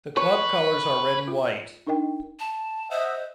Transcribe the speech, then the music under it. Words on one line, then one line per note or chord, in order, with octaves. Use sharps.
The club colours are red and white.
B4 C#5
F4
D4 D#4 A#4 D#5 G5
A5
C5 D#5 E5 F#5